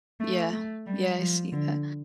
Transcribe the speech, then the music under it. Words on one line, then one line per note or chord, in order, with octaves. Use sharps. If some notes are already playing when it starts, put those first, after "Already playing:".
Yeah, yeah, I see that.
A3
A3
G3
F3
D3